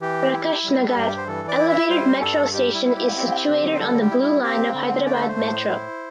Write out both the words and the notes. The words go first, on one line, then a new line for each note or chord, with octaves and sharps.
Prakash Nagar elevated metro station is situated on the Blue Line of Hyderabad Metro.
E3 G4
E4
G3
A4
G2 G4
C5
E3 A4
D5
E4
E5
G3 C5
G2 A4
G3 G4
E4
E4
G4
C4 G4
D3
C5
G3 A4
G4
E4
E4
C4 G4
D3
A3 D5
C5
A4
C5
A2
E4